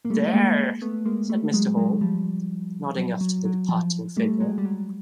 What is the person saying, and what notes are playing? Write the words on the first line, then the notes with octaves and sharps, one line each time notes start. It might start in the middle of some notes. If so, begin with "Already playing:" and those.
"There," said Mr. Hall, nodding after the departing figure.
A#3
G3 A3
G#3 A#3
A3 B3
G#3 A#3
G3 A3
F#3 G#3
F#3 G#3
F3 G3
F#3
F#3
F#3
F3
G3 A3
F#3 G#3
G3
F#3